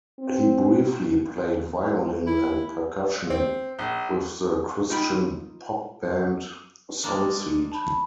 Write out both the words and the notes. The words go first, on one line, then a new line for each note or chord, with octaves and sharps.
He briefly played violin and percussion with the Christian pop band Sonseed.
C4
E4
C4
A#1
D#4 F4 G5 B5
G#3 A#3 D4
A5 B5